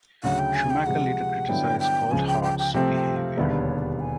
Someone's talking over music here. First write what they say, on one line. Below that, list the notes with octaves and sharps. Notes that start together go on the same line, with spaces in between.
Schumacher later criticized Coulthard's behaviour.
D2 C#3 F#3 F#5
G5
G#5
G5
C3 F3 G#3 F#5
G2 D3 F#3 B3 E4 G5
G5
C#2 C#3 F3 G#5
G5
G5
G5
C3 F3 A3 C4 G5
G5
F5
E1 D#2 D3 G3 B3 E5
C5
C#5
D5
G#5